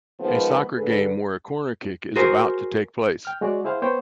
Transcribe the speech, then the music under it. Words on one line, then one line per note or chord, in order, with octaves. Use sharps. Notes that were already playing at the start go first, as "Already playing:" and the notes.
A soccer game where a corner kick is about to take place.
D#3 F3 G#3 B3
D3 G#4 A4 B4
F#4 G#4 A#4 C5
G5 F6
G#3 F#4 G#4 C#5 D5
E4 G#4 C5 F5 F#5
B3 C5 C#5 G5